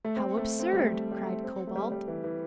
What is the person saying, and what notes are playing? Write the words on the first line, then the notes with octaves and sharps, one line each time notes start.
"How absurd!" cried Cobalt.
A3
C4
A3
C4
G3
A3
G3
A3
C4
A3
G3
G3
E3
E3